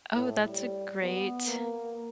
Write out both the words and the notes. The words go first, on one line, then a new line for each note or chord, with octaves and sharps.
Oh, that's a great
A2
G3
B3
A#3